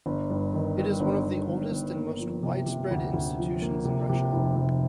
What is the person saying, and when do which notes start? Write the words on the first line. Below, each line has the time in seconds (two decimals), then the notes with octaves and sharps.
It is one of the oldest and most widespread institutions in Russia.
0.06 G1
0.30 G2
0.53 D#3
0.77 G2
1.00 G1
1.25 G1
1.48 G1
1.71 G1
1.95 A#3
2.19 F3
2.43 C3
2.66 C3
2.90 D2
3.13 D2
3.38 F3
3.62 A#3
3.85 C3
4.09 C3
4.33 F1
4.56 C3